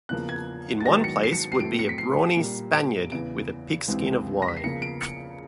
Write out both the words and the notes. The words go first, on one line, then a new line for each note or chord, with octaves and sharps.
In one place would be a brawny Spaniard with a pigskin of wine.
E2 C#3 F3 A#3 F#6
G#6
A6
G#2 D#3 F#3 B3 A#6
C#7
C7
C#7
C7
A2 F#3 A3 C4 D7
C#7
B6
C7
A#2 G3 A#3
D7
E2 C#3 E3 D7
C#2 C3 E3 G#3 C4
A#6
B6
C7
E2 C#3 F3 A#3 C#7
D7
C#7